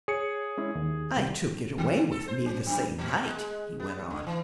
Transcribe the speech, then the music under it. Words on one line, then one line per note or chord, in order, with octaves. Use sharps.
"I took it away with me the same night," he went on.
G#4 C#5 C#7
G#3 C#4 E4
D#2
C2 D#3 G3
D#3
A4
C5
C#4
F#2
A#2
G#3
B3
D3
E3